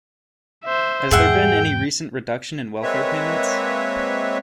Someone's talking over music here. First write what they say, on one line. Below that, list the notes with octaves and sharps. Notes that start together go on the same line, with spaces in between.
Has there been any recent reduction in welfare payments?
C5 E5
E2 G#2 G#4 E5 F#5 G5
G#3 A#3 C4 B4 C#5 E5